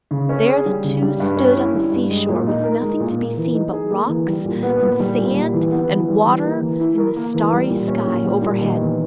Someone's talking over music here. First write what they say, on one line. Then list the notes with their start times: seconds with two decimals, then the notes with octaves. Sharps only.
There the two stood on the sea-shore, with nothing to be seen but rocks and sand and water, and the starry sky overhead.
0.11 C#3
0.29 C#4
0.47 G#4
0.66 G3
0.84 C#3
1.02 G3
1.20 G2
1.37 C#4
1.56 E4
1.74 G3
1.92 G2
2.10 G#3
2.29 A#2
2.47 D#4
2.64 A#4
2.82 G#3
3.00 A#2
3.18 A#3
3.37 E3
3.54 D#4
3.73 G#4
3.91 A#3
4.09 E3
4.27 G3
4.45 A#2
4.63 B3
4.81 A#2
5.00 G3
5.18 A#2
5.36 G3
5.53 E3
5.71 B3
5.90 E3
6.08 G3
6.26 E3
6.44 A#3
6.61 E3
6.80 E4
6.98 A#4
7.16 A#3
7.34 E3
7.52 G3
7.70 A#2
7.88 C#4
8.07 A#2
8.25 G3
8.42 A#2
8.61 D#3
8.78 E2